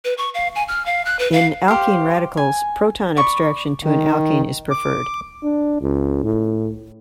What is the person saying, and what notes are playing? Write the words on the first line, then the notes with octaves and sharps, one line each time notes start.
In alkene radicals proton abstraction to an alkyne is preferred.
B4
C#6
F5
G#5
F6
F5
F#6
B4
F5
G4 C5 F5
G#5
D5 B5 C#6
D#3
D6
D4
C#2
A2